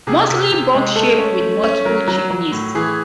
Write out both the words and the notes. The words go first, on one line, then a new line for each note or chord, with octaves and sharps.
Mostly box shaped with multiple chimneys.
C3 G#4
C3
C3
G#3
A3 A4
C#4
A3
C#4
F#3 A#4
F#3
F#3
A2
E3 G#4